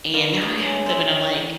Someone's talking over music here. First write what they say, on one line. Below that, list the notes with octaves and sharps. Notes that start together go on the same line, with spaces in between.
and now I have them, and I'm like,
G2 A#4
D#4 G#4
F#2 G#5
C5 C#5 E5
E3